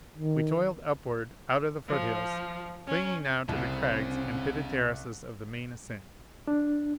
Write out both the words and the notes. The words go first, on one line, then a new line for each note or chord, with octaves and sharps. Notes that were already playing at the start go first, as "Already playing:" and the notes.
We toiled upward, out of the foothills, clinging now to the crags and pitted terraces of the main ascent.
D#3
F3
C#4
C2 C#3 C4
D4